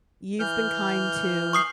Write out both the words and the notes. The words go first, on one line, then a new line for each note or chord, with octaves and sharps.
you've been kind to,
E3 F6 G6
C#6 D#6 C7